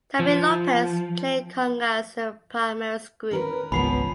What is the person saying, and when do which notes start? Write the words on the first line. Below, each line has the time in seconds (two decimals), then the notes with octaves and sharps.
Tommy Lopez played congas in Palmieri's group.
0.19 F3
3.31 C#4 A#4 B4
3.72 G#1 C#2 F3 B3 C#4 B5 C7